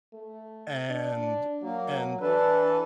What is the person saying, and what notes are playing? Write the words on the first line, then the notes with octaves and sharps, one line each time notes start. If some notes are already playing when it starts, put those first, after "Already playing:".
and and
A3
D4
F#3 A#3
E3 D4 A4 B4